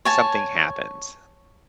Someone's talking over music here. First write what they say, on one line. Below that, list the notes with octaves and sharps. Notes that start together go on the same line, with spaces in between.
something happens,
C#5 G#5 A5